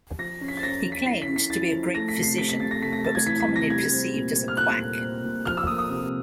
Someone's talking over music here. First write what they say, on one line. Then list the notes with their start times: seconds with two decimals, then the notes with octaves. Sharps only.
He claimed to be a "great physician", but was commonly perceived as a quack.
0.18 F3 A#6
0.41 C#4
0.48 B6
0.57 A6
0.63 C#4 A#6
0.85 C#4
0.92 B6
1.06 E4 C7
1.22 B6
1.28 C#4
1.36 B6
1.50 E4 A6
1.72 F3
1.94 A3 A#6
2.08 B6
2.16 C3
2.23 C7
2.38 C3 B6
2.49 B6
2.60 C3 A6
2.71 A#6
2.82 A3 B6
2.93 A#6
3.04 A3 A6
3.15 G#6
3.26 E3 B6
3.40 B6
3.48 C3
3.56 A#6
3.70 G3 G#6
3.92 C4
4.13 A#2
4.35 C4
4.48 F6
4.57 A#2 F#6
4.79 A#2
5.01 C4
5.23 A#2
5.45 F3 F6
5.57 E6
5.67 A#3 D#6
5.78 D#6
5.90 C3